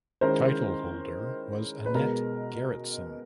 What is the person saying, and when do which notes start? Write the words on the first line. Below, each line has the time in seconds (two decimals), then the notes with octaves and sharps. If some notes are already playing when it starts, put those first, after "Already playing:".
Title holder was Annette Gerritsen.
0.21 D#3 G#3 C#4 E4 A#4 C5
1.86 B4
1.95 B2 G#3 B3 A#4